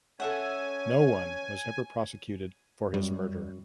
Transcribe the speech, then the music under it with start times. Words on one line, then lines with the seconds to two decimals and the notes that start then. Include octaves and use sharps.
No one was ever prosecuted for his murder.
0.20 C#4 A4 E5 F#5 G#5
2.94 F#2 G3